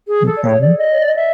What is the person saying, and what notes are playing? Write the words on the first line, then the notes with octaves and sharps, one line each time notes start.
No problem.
G#4
A4
D5
C#5
D5
D#5
C#5
D5
D#5
E5